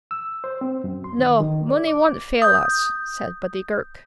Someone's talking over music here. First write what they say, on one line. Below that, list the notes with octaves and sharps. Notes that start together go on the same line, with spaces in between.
"No, Mooney won't fail us," said Buddy Girk.
E6
C5
C4
F#2
C6
D#3
D#3
D5
D6
D#6 G6